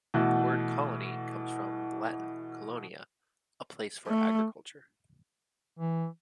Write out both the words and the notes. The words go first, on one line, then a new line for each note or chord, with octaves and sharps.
The word "colony" comes from the Latin "colonia"-"a place for agriculture".
B2 E3 A3 F#4 F#6
A3
E3